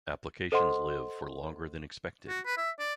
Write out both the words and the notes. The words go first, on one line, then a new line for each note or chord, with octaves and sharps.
Applications live for longer than expected.
A4 C5 D#5 F#5 C6
F#4
B4
E5
D5